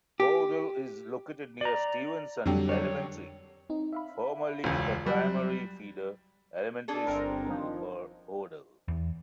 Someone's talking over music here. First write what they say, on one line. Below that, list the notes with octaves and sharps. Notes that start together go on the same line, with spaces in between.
Odle is located near Stevenson Elementary, formerly a primary feeder elementary school for Odle.
G4
D5 A#5
F2 D3 F#3 G3 G4
A#4 C#5 D5 F#5
C4 D#4
E5 F5 B5
E1 C#2
F#3 G3 F#6
D4 G#4 A4
G1 C4 A#4
D#3 F3
E2